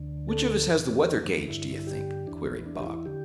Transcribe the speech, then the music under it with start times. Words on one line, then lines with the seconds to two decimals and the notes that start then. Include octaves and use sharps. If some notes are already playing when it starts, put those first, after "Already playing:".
"Which of us has the weather-gauge, d'ye think?" queried Bob.
Already playing: D2 D3
0.29 A4
0.69 E2 E3
0.95 G4
1.48 G2 D3 E4
1.87 G4
2.27 E2 E3 D4
2.46 B3
2.66 D4
2.80 G4
2.86 E4
3.06 D3 G4